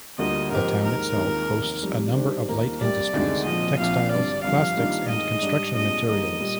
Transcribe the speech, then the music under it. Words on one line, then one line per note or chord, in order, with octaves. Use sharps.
The town itself hosts a number of light industries: textiles, plastics and construction materials.
D2 D3 G3 A#3 F4 D#5
G#2 F3 C4 G4 A#4 C5
D#2 D#3 G#3 A#4
D#2 D#3 G#3 C4 F4
F1 D#2 D#3
F2 D#3 G3 C4
D#3 G3 D4 G4 C5
D#2 D#3 A#3 F4 A#4
C2 C3 G3 C4 G4 D5
D2 C3 D#3 G#3 D4
A#2 F3 C4 D#5
A#1 A#2 F3 C4 F5
G#1 G2 D3 D5
G#1 G2 F3 F5
D#3 G3 A#3 D4 F4
G#2 D#3 G#3 D#5
G#2 G3 D4
C2 A#2 G#3 D4 F4 D#5
G2 D#3 A#3 D4 G#4 D#5
A#2 G3